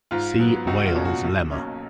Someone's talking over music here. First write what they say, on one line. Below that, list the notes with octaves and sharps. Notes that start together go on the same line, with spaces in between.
See Weyl's lemma.
G#2 F4
F#3 B3
C#2 F#4
F4
B2 A#3 C#4
F#4
B1
B2 A#3 C#4